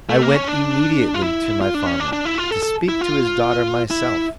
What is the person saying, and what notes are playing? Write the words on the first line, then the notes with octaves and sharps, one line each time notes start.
I went immediately to my farmer, to speak to his daughter myself.
A3
A#3
C#4
D4
F4
E4
F4
D4
C#4
D4
D4
E4
F4
A4
A4
E4
F4
E4